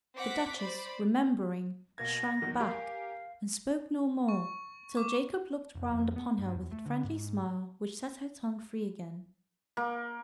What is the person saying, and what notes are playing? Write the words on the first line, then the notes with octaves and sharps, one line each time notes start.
The Duchess, remembering, shrank back, and spoke no more, till Jacob looked round upon her with a friendly smile which set her tongue free again.
C4 F#5 D6 B6
C5 D5 B5
B2 A#3 G#6 A#6
E2 D#3 F#3
G4 A#4 F5 G#5
C#6
D6
F1
F2
B3
G2
E2
A3
D3
G#2
A#3